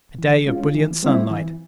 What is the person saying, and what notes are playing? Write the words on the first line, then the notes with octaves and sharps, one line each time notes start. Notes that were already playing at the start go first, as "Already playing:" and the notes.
A day of brilliant sunlight.
E3
G#3 C#4 F4
E3
G3 C4 E4
E3